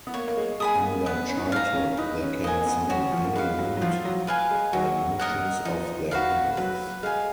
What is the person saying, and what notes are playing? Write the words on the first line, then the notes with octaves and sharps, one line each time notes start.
In their childhood they can summon any wind by motions of their hands.
B3
A#3 C#5
A#3
G#3
G#3 G#5 B5 D#6
B3
A#3
B3 B4
C#4
D#4
C#4
F5 A#5
C#4
D#4 B4
C#4
A#3 D#5 G#5
B3
C#4 F#4
F3
A#3
G#3 B4 F5
F#3
F#3
F3 F4
F#3
B4 F5 G#5
G#3
F#3 F#4
A#4 D#5 F#5
F3 D#4
F#4 B4 F5
F#3 B4
G#3 F5 G#5